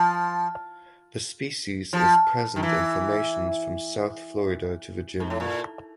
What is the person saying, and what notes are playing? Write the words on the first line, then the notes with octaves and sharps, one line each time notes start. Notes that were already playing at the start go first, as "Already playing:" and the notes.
The species is present in formations from south Florida to Virginia.
Already playing: F3
F3
D#3
E3
G#2
A2
A#2